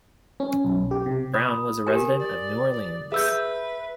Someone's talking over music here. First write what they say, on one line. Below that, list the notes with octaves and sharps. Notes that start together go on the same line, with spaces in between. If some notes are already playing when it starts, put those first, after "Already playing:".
Brown was a resident of New Orleans.
C#4
B1
G4
C3
B5 D#6
G4 A#4 G#5
D5
G#4 B4 E5 E6 G6